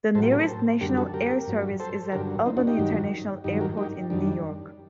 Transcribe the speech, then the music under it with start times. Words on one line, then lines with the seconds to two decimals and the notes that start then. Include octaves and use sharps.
The nearest national air service is at Albany International Airport in New York.
0.15 A2 A4 C5
0.18 F#3 G4 A#4
0.31 G4 A#4
0.39 A4 C5
0.81 F#2 D3 G3 G4 A#4
0.97 F#4 A4
1.14 G4 A#4
1.47 G2 F#3
1.80 A4 C5
2.12 G2 D3 F#3 G4 A#4
2.46 C4 D#4
2.57 D4 F#4
2.67 D#4 G4
2.78 G2 D#3 F#3
3.44 G2 D#3 F#3 D#4 G4
3.61 G4 A#4
3.77 D#4 G4
4.10 F#2 D#3 G3 D4